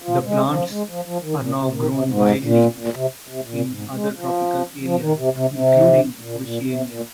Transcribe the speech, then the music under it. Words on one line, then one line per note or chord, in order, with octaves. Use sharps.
The plants are now grown widely in other tropical areas, including Oceania.
F3
G#3
F3
G#3
F3
F3
D#3
A#2
C3
D#3
C3
G#2
A#2
A#2
C3
C3
A#2
G#2
G#3
F3
F3
D#3
C3
C3
C3
A#2
A#2
C3
A#2